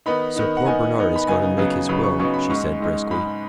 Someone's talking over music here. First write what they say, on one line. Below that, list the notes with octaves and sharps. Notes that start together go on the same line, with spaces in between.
"So poor Bernard is going to make his will," she said briskly.
D#3 B3 D#4 B5
D#3 B3 D#4
F#5
D#3 B3 D#4 G#5
D#3 B3 D#4
B5
C#3 F#3 B3 D#4 G#5
C#3 F#3 B3 D#4
C#3 F#3 B3 D#4 B5
C#6
C#3 F#3 B3 D#4 C#6
B5
G#2 G#3 D#4 C#6
G#2 G#3 D#4
G#2 G#3 D#4 B5